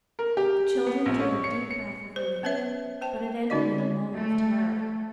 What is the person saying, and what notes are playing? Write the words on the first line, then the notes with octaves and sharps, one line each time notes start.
The children drew a deep breath of relief, but it ended in a moan of terror.
A#4
G4
B3
A#1
C#4
C#7
C#7
C5
B3 C#4 B4 C#5 E5
C5 G5 A5
D3 C#4 D#4 F#4 D5 D#5
C4 C#5
A3